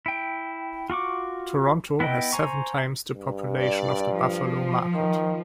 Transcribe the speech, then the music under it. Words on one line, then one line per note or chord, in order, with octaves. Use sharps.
Toronto has seven times the population of the Buffalo market.
E4 G5
F4 F#4 C#6 D6
B3 E4 B4 D#5 G5
C5 G#5 A#5 C#6
G2
D5
F3
D#3